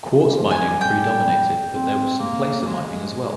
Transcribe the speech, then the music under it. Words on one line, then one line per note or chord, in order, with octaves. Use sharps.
Quartz mining predominated but there was some placer mining as well.
G3
F3
G#5
G3
G5
C4
A#3
A#3
G#3